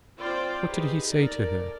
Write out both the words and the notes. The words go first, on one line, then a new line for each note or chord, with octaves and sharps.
What did he say to her?
C4 F4 C5 D5 G5
D#4 G4 G#4 B4
A4 A#4 D5